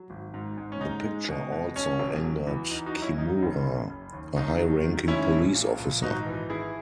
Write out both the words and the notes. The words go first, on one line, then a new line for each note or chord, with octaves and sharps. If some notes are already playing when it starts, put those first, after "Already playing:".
The picture also angered Kimura, a high-ranking police officer.
Already playing: F#3
G#1
G#2
G#2
C#4
G#3 D#4
G#3
B2
B2
E1 C#4
E1
F#3
E2
E2 D#4
D#4 F#4
F#3
C#4 E4
F#2 D#4
F#1
C#3
F#1
D#2
D#2 D#4
F#3
D#3
G#3 C#4 E4
A#1
A#2
A#1
G#1 D#4 F#4
E3
E3 E4 G#4